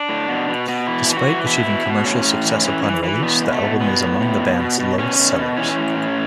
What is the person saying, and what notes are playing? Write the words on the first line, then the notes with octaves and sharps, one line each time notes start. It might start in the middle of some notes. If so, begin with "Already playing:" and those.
Despite achieving commercial success upon release, the album is among the band's lowest-sellers.
Already playing: D4
A2
B2
B2
B2
E3 E4
E3
F#4
E3
B2 E4
B2
B2
A2 C#4
A2
E3
E3
E3
E3
B2 B3
B2
A3
B2
E3 B3
A2
A2
B2
B2
B2
B2 C#4
B2
B2
E3 C#4
A2
A2